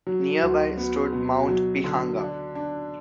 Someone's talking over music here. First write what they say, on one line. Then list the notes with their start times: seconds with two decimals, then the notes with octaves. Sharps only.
Nearby stood Mount Pihanga.
0.07 F#3
0.42 D2
0.77 B3
1.12 B2
1.49 F#3
1.84 D3
2.19 D4
2.55 D4